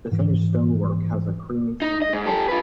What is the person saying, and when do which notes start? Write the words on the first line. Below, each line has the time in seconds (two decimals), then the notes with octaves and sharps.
The finished stonework has a creamy, sandy colour.
0.12 G#2 E3
1.82 D#4
2.02 D#5
2.13 G#2
2.26 G4 A4
2.48 F4 B4